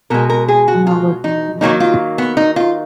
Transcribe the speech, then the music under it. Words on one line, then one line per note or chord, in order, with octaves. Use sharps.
I’m not working right now.
B2 G#3 A#4
A#4
G#4
F#4
F4
D#4
D#3 F#3 A#3 D#4
F4
B3
D#4
F4